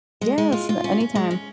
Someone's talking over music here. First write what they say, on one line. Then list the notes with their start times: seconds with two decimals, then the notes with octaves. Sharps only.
Yes. Na anytime.
0.21 G#3
0.38 G#3
0.52 F4
0.69 F4
0.84 C#4
1.00 C#4
1.15 G#3
1.31 C#4